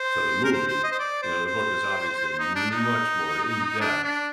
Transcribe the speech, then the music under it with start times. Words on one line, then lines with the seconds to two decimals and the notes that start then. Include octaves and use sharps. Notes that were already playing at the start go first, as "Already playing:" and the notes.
to the movie, you know, the book is obviously much more in depth,
Already playing: C5
0.44 A#4
0.52 C5
0.68 C5
0.83 D#5
0.92 C5
0.99 D5
1.22 C5
1.46 C5
2.39 D#4
2.55 D4
2.71 D#4
3.81 D4
4.04 D4